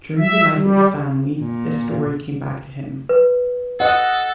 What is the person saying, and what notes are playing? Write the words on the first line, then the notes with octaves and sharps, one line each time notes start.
During the night at the Stanley, this story came back to him.
E5
G3
A#2
B4
A4 D#5 F#5